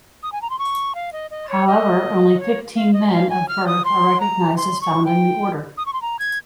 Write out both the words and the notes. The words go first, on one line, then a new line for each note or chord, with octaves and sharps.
However only fifteen men of birth are recognized as founding the Order.
D#6
G#5
A#5
C6
C#6
F5
D#5
D#5
C#5
D#5
C#5
F5
D#5
F5
G#5
F6
D#6
C6
A#5
C6
C#6
G5
D#6
C#6
C6
A#5
G#6